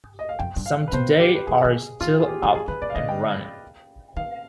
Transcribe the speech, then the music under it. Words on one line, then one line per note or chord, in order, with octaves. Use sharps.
Some today are still up and running.
D#5
F5
F2 G5
G2
F5
B4
B2 C5
G4
B4
D#3 G#4
D#3
D#3 F4
G#4
G4
D#3
F3 G#4
D#3 B4
C3 D5
F5
D3 D#5
G5
D#3 F5